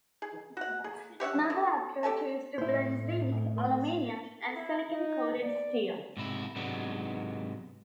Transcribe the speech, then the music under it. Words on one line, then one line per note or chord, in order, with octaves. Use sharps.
Another approach is to blend zinc, aluminum, and silicon-coated steel.
G#4
F#4 F#5
G#4
G4 C#5 E5 F#5
D3
G4 A4 G#5 A5
A2 E4 C5
E4
D#4
D5
G#2 C3 E4
G#2 C3 F#3 G#3 B3 D4